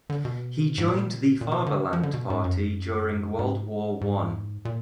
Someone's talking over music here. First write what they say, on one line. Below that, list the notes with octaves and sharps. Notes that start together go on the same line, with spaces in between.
He joined the Fatherland Party during World War One.
D3
B2
G#2
A#2
A#2
B2
D3
F3
D3
B2
G#2
F#2
G#2
G#2
A#2